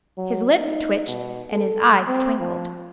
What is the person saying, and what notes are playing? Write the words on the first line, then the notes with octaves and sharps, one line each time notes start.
His lips twitched and his eyes twinkled.
F#3
D#4
B2
A4
C4
F3